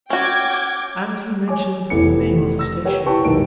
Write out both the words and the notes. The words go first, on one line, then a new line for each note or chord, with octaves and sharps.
And he mentioned the name of a station.
C#4 F#4 G5 D6 G#6
C#5 G#5 D6
F1 E3 B3 E4 C#7
E6 A#6
G4 A#4 B4 C#5 F#5 G5
E4 G4 B4 G5 A5 C#6
E1 B1 G#2 D#3 A#4 D7